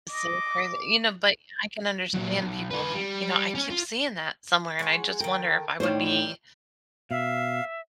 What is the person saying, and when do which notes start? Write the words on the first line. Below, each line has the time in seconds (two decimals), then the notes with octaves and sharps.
It's so crazy, you know, but I can understand people, and, you know, I keep seeing that somewhere and I just wonder if I would be,
0.12 D#5 D6
2.14 A#2 F#3
2.40 B1
2.71 F4 B4
2.94 G3
3.55 C#4
3.70 F4
4.79 G#3 C#5 F#5
5.20 D#3 A4 A#4 G5
5.80 A2 D3 D#3 F3 G3 D#4 C5 C#5
7.11 B2 E5 F5